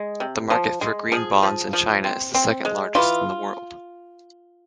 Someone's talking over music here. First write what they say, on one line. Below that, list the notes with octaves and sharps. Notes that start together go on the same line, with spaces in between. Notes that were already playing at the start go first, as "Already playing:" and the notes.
The market for green bonds in China is the second largest in the world.
Already playing: G#3
C3
F3
G#3
F3 G#4
F3
F3
C4
C4
G#3
E3 F4